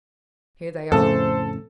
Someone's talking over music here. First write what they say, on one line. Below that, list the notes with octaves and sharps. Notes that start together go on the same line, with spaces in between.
"Here they are."
F2 A2 C#3 A4 C5